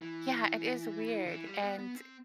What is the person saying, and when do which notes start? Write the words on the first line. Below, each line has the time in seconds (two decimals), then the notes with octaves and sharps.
Yeah, it is weird. And
0.02 E3
1.26 D3
1.30 E3
1.46 G3
1.62 B3
1.78 B3
1.95 C4